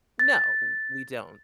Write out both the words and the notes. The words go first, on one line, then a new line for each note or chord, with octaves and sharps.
No. W we don't.
A6